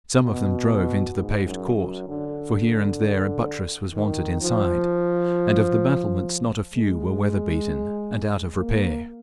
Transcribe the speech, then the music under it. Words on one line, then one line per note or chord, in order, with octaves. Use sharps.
Some of them drove into the paved court, for here and there a buttress was wanted inside, and of the battlements not a few were weather-beaten and out of repair.
B2
G#2
F#2
F#2
D3
D#3
F3
G#3
A#3